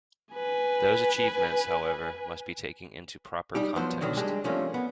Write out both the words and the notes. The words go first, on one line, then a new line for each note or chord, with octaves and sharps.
Those achievements, however, must be taken into proper context.
B4 G#5
G3 D#4 G4
F3 F#3 B3 C5
B1 B2 D3 D#3 F#3
G3 G#3 D4 G4
C3 F3 A3 A#3 C#4 D4
B3